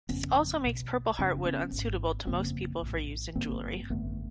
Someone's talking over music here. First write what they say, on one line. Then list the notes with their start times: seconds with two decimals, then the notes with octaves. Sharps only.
This also makes purpleheart wood unsuitable to most people for use in jewelry.
0.09 G1 F2 C#3 B3 C#4
0.65 B1 B2
1.19 F#1 F#2 C#3 C4 D4
1.46 B3 C#4
1.72 G#1
1.77 G#2
2.26 G1 F2 C#3 A#3 C4
2.82 A#1 A2
3.36 G#1 G2 D3 A#3 C4
3.90 G#1 F#2 D3 A3 B3